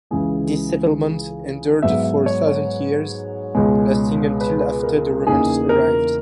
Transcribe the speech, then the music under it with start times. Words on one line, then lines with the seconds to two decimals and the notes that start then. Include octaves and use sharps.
This settlement endured for a thousand years, lasting until after the Romans arrived.
0.11 C#2 C#3 E3 G#3 G#4
1.82 G#2 F#3 B3 E5
2.04 E5
2.26 C#5
2.47 C#5
3.55 C#2 B2 G#3
4.41 B4
4.83 A#4
5.26 E2 C#3 E3 A#3 D#4 G#4
5.69 A#4